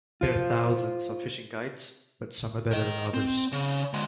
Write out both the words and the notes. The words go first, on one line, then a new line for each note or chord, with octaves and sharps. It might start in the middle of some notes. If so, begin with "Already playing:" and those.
There are thousands of fishing guides but some are better than others.
F4 C5
A#4 D#5
C4
C#3
D3 G#3